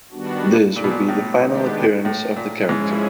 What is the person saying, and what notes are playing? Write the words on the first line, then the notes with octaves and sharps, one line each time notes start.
This would be the final appearance of the character.
D#3 G3 B3 D4 F#4
A#2
B2
A#2
A2
D#3 G#3 B3 D4 G4
A2
A#2
G#2 F3 G#3 C#4 E4 G#4